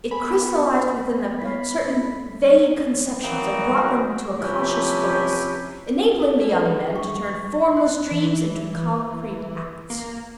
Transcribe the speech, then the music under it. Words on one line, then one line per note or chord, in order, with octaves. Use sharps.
It crystallized within them certain vague conceptions and brought them to a conscious focus, enabling the young men to turn formless dreams into concrete acts.
B3 A#4 G#5 B5
B4 F5 F#5
E4 C#5 F5 B6
A#3 E4 A4
E3 F#3 A#3 C4 D#4 F#4
C3 F3 C#4 E4 G4 B4
A4
D4
B4
G#4
C#6
C6
F#6
E3
A#3